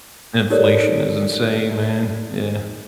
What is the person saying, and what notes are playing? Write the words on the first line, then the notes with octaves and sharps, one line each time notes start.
Inflation is insane, man, yeah.
D#4 G4 A4 A#4 C#5 D5